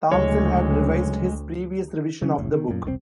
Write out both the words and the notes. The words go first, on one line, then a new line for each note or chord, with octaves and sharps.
Thompson had revised his previous revision of the book.
D2 C#3 F#3 G#3 E4 C#5
C#3 F#3 C4 C#4
F#1 C2 A2
D#3
F#2 A#2
E1 C2 C#3 C4